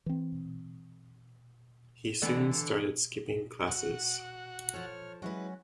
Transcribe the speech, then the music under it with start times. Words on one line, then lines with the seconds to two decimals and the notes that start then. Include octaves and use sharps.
He soon started skipping classes.
0.06 E3 C4
2.22 D3 E3 B3
3.67 F#4
4.74 F3 A4 C#5 F6
5.22 F#3 G#3 C#4 E4 F#4 B4